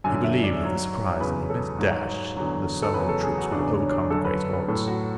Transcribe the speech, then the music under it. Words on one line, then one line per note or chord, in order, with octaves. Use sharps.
He believed that the surprise and the immense dash of the Southern troops would overcome the great odds.
F#2 D3 F#3 G#5
E5
D5
G#2 F#3 C#5
C#5
E2 C#3 F#3 B4
A4
G#2 F#3
E2 D3 F#3
A4
E2 C#3 F#3 B4
A4
G#4
F#4
E2 C#3 F#3 D4
C#4
D4
F#2 D3 F#3 A4
B4
B4
A2 F#3 A4
F#4